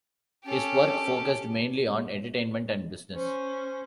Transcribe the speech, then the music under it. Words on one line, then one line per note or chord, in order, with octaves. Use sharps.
His work focused mainly on entertainment and business.
C#4 G4 A4
C#4 C5